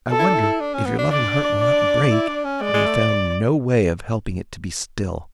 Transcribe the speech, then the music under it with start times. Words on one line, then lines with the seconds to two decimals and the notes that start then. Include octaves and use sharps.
I wonder, if your loving heart will not break, you have found no way of helping it to be still!
0.11 A4
0.19 E4
0.26 D4
0.34 E4
0.60 D4
0.74 C#4
0.86 B3
0.99 D4
1.11 D4 D5
1.61 D5
2.03 D4
2.11 E4
2.28 D4
2.44 C#4
2.62 G#3 D5
2.74 G#3
2.86 A3